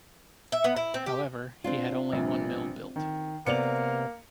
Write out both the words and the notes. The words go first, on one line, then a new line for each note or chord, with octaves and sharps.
However, he had only one mill built.
E5
B3
E4
C4
G4
C4 D4 F4
A#1 G2 A#2
D#3
C3 A#3 B3 D5 C#7 F7